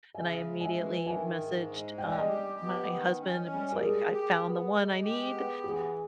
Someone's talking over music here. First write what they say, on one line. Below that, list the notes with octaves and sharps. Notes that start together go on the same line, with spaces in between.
And I immediately messaged, um, my husband and was like, "I found the one I need,
C#3 E5 G#5
G#3
E5 G#5
E3
D#3 E5 G#5
G#2
G#3
G3 G5
G#5
D#5 G5
G4
B3
D#3
C#4
G3
A#4
G#3 G#4
G4
B3
G#3
G4
B3
E3 G#4